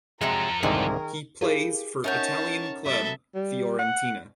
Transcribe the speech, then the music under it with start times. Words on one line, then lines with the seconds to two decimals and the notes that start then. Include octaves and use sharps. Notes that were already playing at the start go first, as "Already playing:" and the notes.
He plays for Italian club Fiorentina.
0.21 C3 F3 F#3 G#3 A4 A#5
0.63 C2 G#2 D3 D#3 G#4 A#4
1.41 E4 G4 G#4 A#4 B4 F5
2.04 C#4 D#4 A#4 C#5 E5 F#5 A5 G6
2.85 F#3 B3 A4 E5
3.35 G3
3.79 F#5